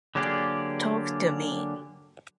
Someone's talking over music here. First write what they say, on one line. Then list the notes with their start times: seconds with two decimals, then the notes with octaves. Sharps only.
Talk to me.
0.15 D3 F#3 A#3 G4 G#4 D5